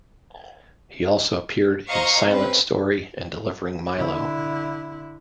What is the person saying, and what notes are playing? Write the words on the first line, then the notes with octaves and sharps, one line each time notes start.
He also appeared in "Silent Story" and "Delivering Milo".
C5 D#5 F5 A#5 C#6
C4 C#4 B4
D3 E4